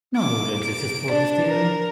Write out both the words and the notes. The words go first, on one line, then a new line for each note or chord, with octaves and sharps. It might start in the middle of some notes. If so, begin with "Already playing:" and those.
No evidence exists for this theory.
D6
D7
D4 D5
A#4